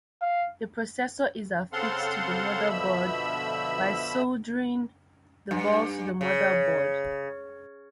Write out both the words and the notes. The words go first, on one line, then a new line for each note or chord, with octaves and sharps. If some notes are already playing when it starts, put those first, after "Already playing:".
The processor is affixed to the motherboard by soldering the balls to the motherboard.
F5
C#3 C4 A4 F5 F#5 C6
B2 D3 F3 E5 B5 E6
G2
C#3